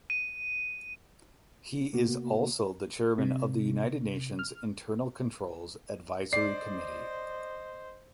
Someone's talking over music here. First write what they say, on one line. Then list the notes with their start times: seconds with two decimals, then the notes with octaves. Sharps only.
He is also the chairman of the United Nations Internal controls Advisory Committee.
0.10 D#7
1.93 C3 A#3 B3 F#4
3.18 C3
4.39 F6
6.33 C5 D5 D#5 C7